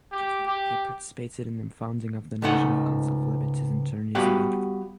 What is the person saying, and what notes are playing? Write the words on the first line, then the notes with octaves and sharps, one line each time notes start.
He participated in the founding of the National Council for Liberties in Tunisia.
G4
G4
C#2 G#2 A3 D#4 F#5
G3 B3 F#4 G4 F5 F#5